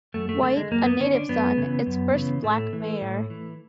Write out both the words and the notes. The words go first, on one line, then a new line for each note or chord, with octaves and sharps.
White, a native son, its first black mayor.
F#2 A3
A3
D3 A3
G#3
F#2 A#3
B3
D3 C#4
D4
F#2 B3
C#3 E3
F#2
C#3 E3
A2 A3
E3
A2
E3